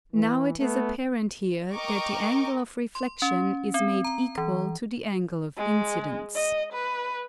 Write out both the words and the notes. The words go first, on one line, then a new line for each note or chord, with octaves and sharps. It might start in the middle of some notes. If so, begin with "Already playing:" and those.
Now it is apparent here that the angle of reflexion is made equal to the angle of incidence.
E3
A3 B3
A#4 D#5 G5 C#6 D6
C6
C#4
C4
A#5
E3
G#3
D#5
B4